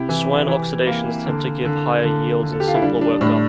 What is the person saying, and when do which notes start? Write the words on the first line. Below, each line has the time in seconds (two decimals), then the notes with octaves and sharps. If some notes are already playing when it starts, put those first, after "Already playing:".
Swern oxidations tend to give higher yields and simpler workup.
Already playing: C3 E4 G4
0.09 E3
0.48 E3
0.87 A#3
1.26 D3
1.65 D3
2.04 D3
2.43 D3
2.53 A4
2.60 G4
2.68 F4
2.75 E4
2.82 G3 D4
3.01 D4
3.21 A2 D4